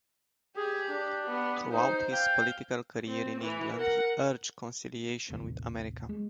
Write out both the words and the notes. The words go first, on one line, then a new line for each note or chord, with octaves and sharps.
Throughout his political career in England he urged conciliation with America.
G4 G#4
D4
B3
D#4 C5
F5 G5
C4
E3
A#4 F#5
D#1 A1 D#2 C3
G#3